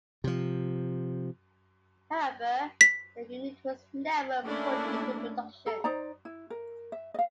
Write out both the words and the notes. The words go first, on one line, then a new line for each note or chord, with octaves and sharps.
However the unit was never put into production.
C3 F3
B6
A3 A#3 C#4 D4 E4
A4 A#5
D#4 C5 D5 A#5
E4
A#4
E5
D#5 F5